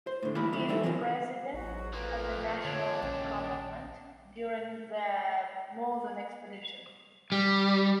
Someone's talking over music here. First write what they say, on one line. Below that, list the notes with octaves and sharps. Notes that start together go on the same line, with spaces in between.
He is the president of the national government during the Northern Expedition.
C5
A2 D3
D#3 G3 A#3 B3 E4 B5
B2 D#3 F#3 A3 E4
G3 D#4 A4 D5 E5
E3 F#3 A#3 C4 F4
A1 G#2 F#3 F#4
F2 F3 A#3 B4
D#2 D3 D4 C#5
A#1 C#4 G5 A5
G3